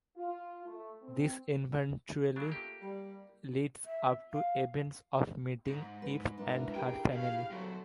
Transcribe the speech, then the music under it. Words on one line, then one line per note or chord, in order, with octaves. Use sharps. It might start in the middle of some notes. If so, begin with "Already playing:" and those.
This eventually leads up to events of meeting Eep and her family.
F4
A3
C4
C#3 F#3 D4
A3 A#3 F4 G4 G#4
G3
E5
F5
G#2
B4
D4 E4 A#4 B4
G4 G#4 G5
A2 F5
F#3 A3 F#4 A4 C5